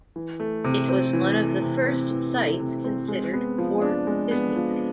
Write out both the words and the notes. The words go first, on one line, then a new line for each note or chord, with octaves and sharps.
It was one of the first sites considered for Disneyland.
E3
A3
C3
C4
E3
A3
C3
C4
E3
A3
C3
C4
G#3
B3
F3
D4
G#3
B3
F3